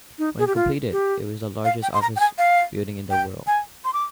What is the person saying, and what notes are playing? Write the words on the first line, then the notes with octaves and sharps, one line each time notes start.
When completed, it was the largest office building in the world.
D#4
G#4
G4
F4
G4
F5
G5
C6
A#5
G5
G#5
F5
G5
G#5
C6
D6